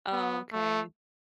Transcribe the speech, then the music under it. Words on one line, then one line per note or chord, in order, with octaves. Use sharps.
Oh, okay.
B3
A3